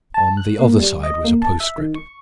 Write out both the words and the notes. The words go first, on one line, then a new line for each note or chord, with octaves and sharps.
On the other side was a postscript.
A5
F#6
A#3
G3
D#5
A#3
A5
E5
D#3
C#6